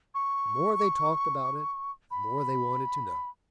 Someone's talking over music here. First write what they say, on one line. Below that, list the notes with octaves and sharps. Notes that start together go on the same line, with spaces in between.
The more they talked about it, the more they wanted to know.
C#6
B5